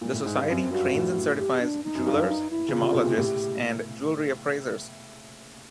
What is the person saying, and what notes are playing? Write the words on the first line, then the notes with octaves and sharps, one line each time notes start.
The Society trains and certifies jewelers, gemologists, and jewelry appraisers.
A#2
A2
G#2
G2
F#2 C4
G2 F#4
A2
G4
D4
D#4
F#2
G2
G2
D#4
E4
C#3 F4
C3
B2
A#2
A2 G4